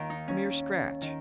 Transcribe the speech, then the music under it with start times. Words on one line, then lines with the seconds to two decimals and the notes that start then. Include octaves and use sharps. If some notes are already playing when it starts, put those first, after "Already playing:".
"A mere scratch."
Already playing: D#2 D#3
0.10 D#4
0.28 C#4
1.02 D#3